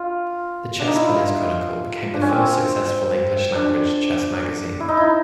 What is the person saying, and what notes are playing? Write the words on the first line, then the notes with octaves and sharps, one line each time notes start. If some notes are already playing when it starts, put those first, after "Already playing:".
The "Chess Player's Chronicle" became the first successful English-language chess magazine.
Already playing: F4
D4
D#4
E4
F4
D4
C#4
C4
D4
E4
D#4
E4